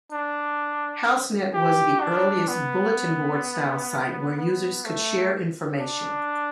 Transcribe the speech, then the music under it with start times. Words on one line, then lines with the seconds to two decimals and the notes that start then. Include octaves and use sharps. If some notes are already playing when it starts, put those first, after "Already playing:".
HouseNet was the earliest bulletin-board style site where users could share information.
0.12 D4
1.54 G4
2.01 D4
2.48 B3
4.37 B3
4.85 A3
5.79 D4